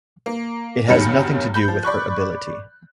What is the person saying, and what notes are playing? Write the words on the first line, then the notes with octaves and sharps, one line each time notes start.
It has nothing to do with her ability.
A#3
E2 G2 D#3 F#3 B5 C#7
B5 G6
F3
D5 B5 C#6 F#6